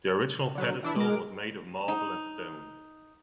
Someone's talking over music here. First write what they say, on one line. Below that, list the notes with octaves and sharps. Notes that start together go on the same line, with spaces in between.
The original pedestal was made of marble and stone.
D3 F#3
E3 D4 E4
G#3 A#4 D6
D#4